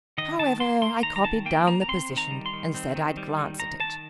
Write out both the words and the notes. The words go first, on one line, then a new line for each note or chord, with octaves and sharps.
However, I copied down the position and said I'd glance at it....
D#3 D#5
D#3 A5
A#3 C6
A#3 C6
D#3 A#5
A#5
D#3 A5
A#3 G5
A#3 A#5
A#5
C4 C6
D#3
A#5
G3
C6
D#3
C4
D#3
G3
D#3
D#3 A#5
D#3 A5